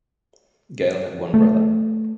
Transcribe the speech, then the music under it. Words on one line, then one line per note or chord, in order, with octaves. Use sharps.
Gale had one brother.
A3